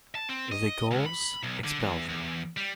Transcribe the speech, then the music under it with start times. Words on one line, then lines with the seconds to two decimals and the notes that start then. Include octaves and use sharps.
The Gauls expelled them.
0.15 A5
0.29 C4
0.52 D#5
0.91 C#2
1.06 B5
1.43 B1
1.65 D3
1.80 E2
2.09 E2
2.57 G3